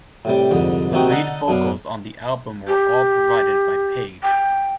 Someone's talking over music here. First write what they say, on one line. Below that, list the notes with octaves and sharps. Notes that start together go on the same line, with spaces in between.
The lead vocals on the album were all provided by Page.
A2 C3 G3
C2 F2 G#2 D3
C3 D#3 C4 D#4 F#4
D3 D#4 A4 F#5
F#2 B3 D4 F5
G4
G5